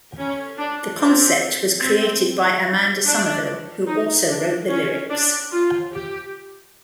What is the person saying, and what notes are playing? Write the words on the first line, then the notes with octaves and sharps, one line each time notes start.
The concept was created by Amanda Somerville who also wrote the lyrics.
C#4
D4
C4
C4
D4
D#4
D4
C#4
D4
F4
G4